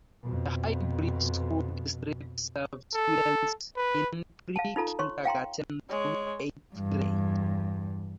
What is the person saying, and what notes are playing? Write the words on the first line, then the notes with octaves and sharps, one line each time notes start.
The High Bridge School District serves students in pre-kindergarten through eighth grade.
F2 B2
A4
B4
F5 A5
D#4 F4 A4 A#5
C#5 C6 C#6
F5 G5 A#5 C6
G#3 C#5
E2 G2